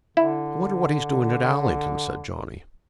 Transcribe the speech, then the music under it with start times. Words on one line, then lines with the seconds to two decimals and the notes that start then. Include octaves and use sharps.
"I wonder what he's doing at Allington?" said Johnny.
0.17 D3 E4